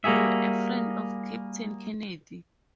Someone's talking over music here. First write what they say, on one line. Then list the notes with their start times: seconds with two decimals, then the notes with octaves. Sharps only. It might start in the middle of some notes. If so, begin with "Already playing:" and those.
You were a friend of Captain Kennedy?
0.04 G3 A#3 F#4 G#4 E5